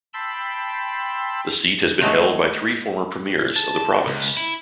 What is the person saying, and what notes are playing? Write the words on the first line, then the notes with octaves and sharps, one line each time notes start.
The seat has been held by three former premiers of the province.
G5 A5 B5 C6 E6
G#3 A3 F#4 C#5 F5
A5
C#2
E4